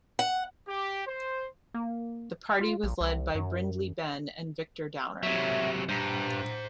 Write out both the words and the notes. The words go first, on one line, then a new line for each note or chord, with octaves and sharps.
The party was led by Brindley Benn and Victor Downer.
F#5
G4
C5
A#3
F4
A#1
C2
F#2
C3 F#3 C#5 E5
G2 C5 A#5